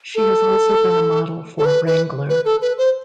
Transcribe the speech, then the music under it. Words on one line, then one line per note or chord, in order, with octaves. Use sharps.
She has also been a model for Wrangler.
A4
A4
B4
B4
B4
A4
B4
C5